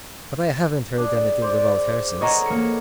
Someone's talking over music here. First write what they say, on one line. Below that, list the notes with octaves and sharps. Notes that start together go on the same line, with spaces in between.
But I haven't heard anything about her since.
D4 G#4
C5 D5
B3 G#4 A4 C#5 D#5 A#5
A#3 C#7